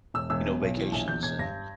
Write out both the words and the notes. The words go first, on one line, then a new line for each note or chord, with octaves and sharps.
you know, vacations, and
E1 E6
E1 E6
B2
B1
E3
A#1
E2 G6
E1 G#6
G2 A#6